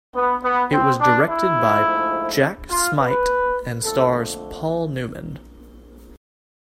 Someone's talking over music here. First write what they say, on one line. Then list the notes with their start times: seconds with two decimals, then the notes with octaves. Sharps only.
It was directed by Jack Smight and stars Paul Newman.
0.16 B3
0.44 B3
0.73 C4
1.01 D4
1.29 E4
1.57 G#2 F3 A3
2.71 F4
2.99 B4
3.84 F2 D3 A3 A4